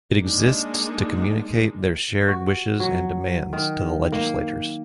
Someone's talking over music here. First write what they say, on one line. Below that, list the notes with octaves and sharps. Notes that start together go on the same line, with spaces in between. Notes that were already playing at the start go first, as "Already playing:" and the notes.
It exists to communicate their shared wishes and demands to the legislators.
G#3 A#3 D4 D#4
F#4
F#3
D#3
A#3